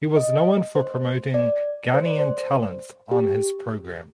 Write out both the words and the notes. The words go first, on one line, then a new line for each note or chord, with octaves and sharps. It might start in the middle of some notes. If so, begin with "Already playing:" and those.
He was known for promoting Ghanaian talents on his program.
D#5
C5
D5
C5
D5
C5
G4